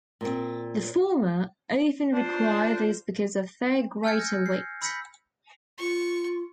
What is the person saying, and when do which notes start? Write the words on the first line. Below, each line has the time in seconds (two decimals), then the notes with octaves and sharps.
The former often require these because of their greater weight.
0.21 A#2 C4
2.13 D4 F4 C5
4.03 G#5 E6 F6 G6 G#6 C#7
4.19 G6 A#6
4.46 C7
4.82 B5 E6 G6 A#6 B6 C#7
5.78 F4 C#6